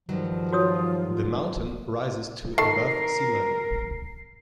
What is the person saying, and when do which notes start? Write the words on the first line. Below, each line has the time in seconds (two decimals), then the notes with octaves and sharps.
The mountain rises to above sea level.
0.09 G2 D#3 F3 F#3
0.52 F4 F#4 C#5 D#6
2.58 D#3 A4 A#4 C7